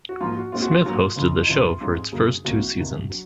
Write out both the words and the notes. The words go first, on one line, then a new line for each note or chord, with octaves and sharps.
Smith hosted the show for its first two seasons.
F#4
G#2 F3 A#3 F4
F#4
A#2 G#3 C4 F4
F#4
F4
G#2 F#3 A#3
C#2 C#3 F3 F4
D#4
C#2 C3 F3 F4
G#2 F3 G#3 C4 F4
G#4
F#2 C#3 F#3 A#3 G#4
C2 C3 F3 A#3 F#4
C#2 C3 D#3
F#3